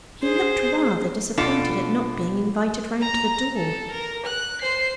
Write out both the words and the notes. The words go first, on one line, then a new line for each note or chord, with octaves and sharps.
He looked rather disappointed at not being invited round to the door.
G#4 C5
B2 D4 F4 A4
A#5
A4
A#4
F#6
C5 C7